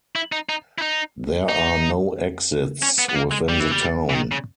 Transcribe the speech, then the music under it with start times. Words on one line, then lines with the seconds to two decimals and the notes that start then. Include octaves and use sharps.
There are no exits within the town.
0.16 E4
0.32 D#4
0.49 D#4
0.78 E4
0.82 D#4
1.49 D#4
2.82 C#4
2.99 B3
3.09 B3
3.15 A#3
3.32 G#3
3.49 G3
3.60 E3
3.71 G3
4.09 E3
4.15 D#3
4.32 C#3